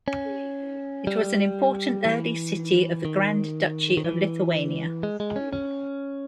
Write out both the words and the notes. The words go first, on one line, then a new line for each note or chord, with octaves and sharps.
It was an important early city of the Grand Duchy of Lithuania.
C#4
G3
E3
D#3
D#3
E3
G#3
G#3
C#4
C#4